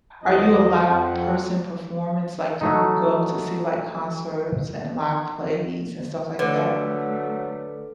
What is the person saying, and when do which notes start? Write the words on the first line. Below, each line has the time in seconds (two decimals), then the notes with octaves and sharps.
Are you a live person performance, like, do you go to see like concerts and live plays and stuff like that?
0.23 E2 D3 F3 D#5
0.87 F2 F#5
2.61 F#3 A3 D#4
6.39 D3 F#3 A3 B4